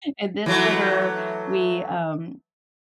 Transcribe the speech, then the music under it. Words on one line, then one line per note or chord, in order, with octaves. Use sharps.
and this winter, we, um
E3 F#3 A3